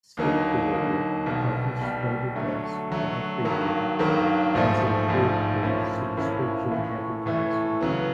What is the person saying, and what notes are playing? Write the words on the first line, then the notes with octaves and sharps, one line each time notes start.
"SkateBoarder" published photographs by Friedman as a full-page subscription advertisement.
D#2 D3 F#3 A#3 D#4
D#2 D3 F#3 A#3 D#4
B1 B2 G3
B1 B2 G3
D3 F#3 A3
D3 F#3 A3
G2 D#3 F#3 A#3
G2 D#3 F#3 A#3
A#1 G#2 F3 A3
A#1 G#2 F3 A3
A2 F3 A#3 C#4 E4
A2 F3 A#3 C#4 E4
A2 E3 A3
A2 E3 A3
C#3 F#3 B3